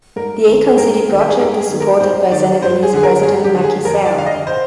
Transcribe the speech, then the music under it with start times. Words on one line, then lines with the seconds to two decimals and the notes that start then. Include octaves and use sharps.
The Akon City project is supported by Senegalese President Macky Sall.
0.16 G#2 A#4
0.47 D#3
0.74 G#4
0.77 G#2 A#4
1.09 D#3
1.19 G4
1.29 G#4
1.39 G#2 A#4
1.59 G#4
1.70 D#3
1.80 A#4
2.00 G#2 C5
2.31 D#3 D5
2.62 G2 C5
2.83 G#4
2.93 D3 G#4
3.03 A#4
3.23 G2 G#4
3.44 G4
3.55 D3
3.64 G#4
3.85 F2 A#4
4.05 D5
4.15 D3 F5
4.26 D#5
4.47 C5